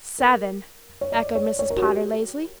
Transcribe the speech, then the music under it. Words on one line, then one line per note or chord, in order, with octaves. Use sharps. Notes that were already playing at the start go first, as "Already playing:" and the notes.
"Seven!" echoed Mrs. Potter, lazily.
A#4
C#5
D5
C#5
C#5
A#4
F#4
G4